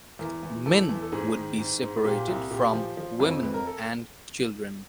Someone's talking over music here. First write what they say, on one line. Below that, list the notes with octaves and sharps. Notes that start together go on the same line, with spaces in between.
Men would be separated from women and children.
E2 A#4
E2
E2 A4
E2
A4
G#2 G#4
D#3
G#2
G#2
A#2 G4
C2
A#2 G4
F3
F3
F2 A4
F2 B4
A#4
A4